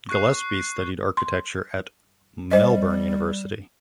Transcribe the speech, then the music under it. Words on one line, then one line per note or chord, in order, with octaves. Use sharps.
Gillespie studied architecture at Melbourne University.
C#6 F#6 C7
C6
G3 C5 D#5